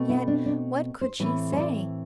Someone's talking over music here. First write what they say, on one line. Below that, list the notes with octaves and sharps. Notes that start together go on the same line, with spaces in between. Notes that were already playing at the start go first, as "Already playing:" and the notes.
Yet what could she say!
Already playing: B2 A3 C4
E4
D4
D4
C5
A2 E3 A3 C4 B4
C5
D5